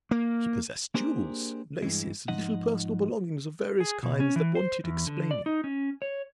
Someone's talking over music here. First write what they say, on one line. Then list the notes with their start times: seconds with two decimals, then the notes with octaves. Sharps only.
She possessed jewels, laces, little personal belongings of various kinds, that wanted explaining.
0.11 A#3
0.95 A#3 D4 G4 G#4 A#4 C5
1.82 G2 E3 G#3
2.28 G#2 F3 D#4 D#5 F#5
3.80 G#4
4.03 B2
4.20 C#4
4.36 E3
4.55 C5
4.84 E2
5.07 D3
5.31 D5
5.46 D#4
5.64 C#4
6.02 C#5